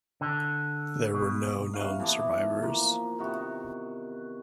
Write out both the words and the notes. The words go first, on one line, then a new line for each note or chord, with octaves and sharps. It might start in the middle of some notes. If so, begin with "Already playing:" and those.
There were no known survivors.
D3
B2
C3 F#4 B4 F5
E3 B3 A5 D6
F3 A#3
C3 D#3 B3 F#4